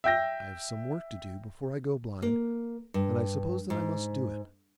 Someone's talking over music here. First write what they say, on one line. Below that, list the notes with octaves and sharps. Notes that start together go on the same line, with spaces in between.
I have some work to do before I go blind, and I suppose that I must do it.
E5 G5 G6 A#6
A#3
G2
G#2